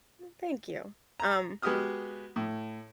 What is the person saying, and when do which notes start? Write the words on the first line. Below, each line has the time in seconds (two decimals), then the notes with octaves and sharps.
Mm, thank you. Um,
1.20 A#5
1.62 G#3 B3 F#4 G4 D#6 F6
2.36 A2